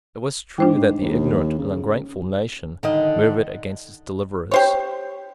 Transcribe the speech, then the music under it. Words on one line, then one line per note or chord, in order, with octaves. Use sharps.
It was true that the ignorant and ungrateful nation murmured against its deliverers.
G#2 D4 C5 G5
D#2
C#3
D3 D#3 D#5
G4 C5 C#5